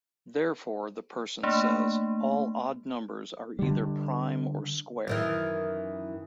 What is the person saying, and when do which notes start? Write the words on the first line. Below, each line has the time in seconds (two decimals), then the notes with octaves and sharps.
Therefore, the person says, all odd numbers are either prime or square.
1.43 A3 A#3 D4
3.59 D3 G3
5.08 F#2 D#3 E3